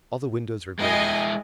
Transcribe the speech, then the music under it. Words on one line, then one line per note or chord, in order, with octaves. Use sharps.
All the windows were grated.
G#3 E4 D#5 G5 G#5